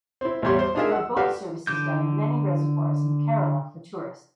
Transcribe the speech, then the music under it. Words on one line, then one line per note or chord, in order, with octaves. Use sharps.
There are boat services done in many reservoirs in Kerala for tourists.
C4 E4
A1 E2 F#3 G3 C#5 C6
C5
D4 D#4 F4 G#4 A#4 E5
F#5 E6
F#4 G4 A4 B4 D5 F5
D3 D6 G6